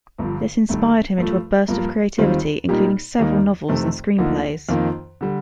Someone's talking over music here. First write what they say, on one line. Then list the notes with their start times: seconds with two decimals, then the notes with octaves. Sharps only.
This inspired him into a burst of creativity, including several novels and screenplays.
0.18 G1 G2 F3
0.69 G2 D#3 A3
1.18 G2 F3 A3
1.68 G2 F3 A#3
2.18 D#2 D#3 G3 C4 F4
2.69 A#2 G3 A#3 D#4 G4
3.19 D#2 D#3 G3 A#3 D#4
3.69 F2 C3 D#3 A3 C4
4.18 D2 D3 F3 A#3 D#4
4.69 F2 D#3 A#3 F4
5.21 D3 G3